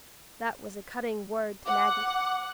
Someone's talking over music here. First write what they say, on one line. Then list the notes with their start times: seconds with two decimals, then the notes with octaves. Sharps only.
That was a cutting word to Maggie.
1.66 F#5 D6